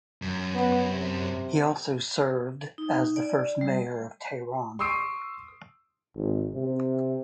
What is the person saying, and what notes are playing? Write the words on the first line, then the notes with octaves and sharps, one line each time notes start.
He also served as the first mayor of Tehran.
F#2
B3
C3
D#4
D5
G3
C6 C#6 D#6 E6 C7 D7
G#1
C3